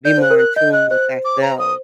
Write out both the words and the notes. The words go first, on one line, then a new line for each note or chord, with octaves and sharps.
be more in tune with ourself,
D5 G6
C5 F#6
A#4
F#6
D#5 G6
D#5 F#6
C5 F#6
D6
A#5
D#6